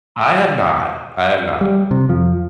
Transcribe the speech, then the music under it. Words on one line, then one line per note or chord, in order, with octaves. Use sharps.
I have not. I have not.
G3
C3
F2 F3